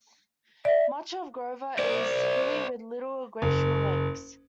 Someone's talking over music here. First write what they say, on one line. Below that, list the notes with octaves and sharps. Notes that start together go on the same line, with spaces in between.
Much of Grover is hilly with little glacial lakes.
D5 E5
C5 D5
F#1